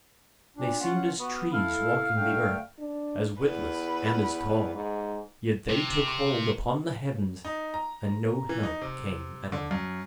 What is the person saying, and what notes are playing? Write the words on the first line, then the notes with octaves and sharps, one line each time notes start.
They seemed as trees walking the earth, As witless and as tall, Yet they took hold upon the heavens And no help came at all.
A#2 D4
C#4 F4 F#5
B3 F#4
E4 A4 F5
D3 A3 G5
D4
E2 B4
G#2
C3
D#4
A#5
E3
D#4
C3
D3
F#2